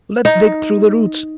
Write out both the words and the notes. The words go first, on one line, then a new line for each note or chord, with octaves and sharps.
Let's dig through the roots.
D#4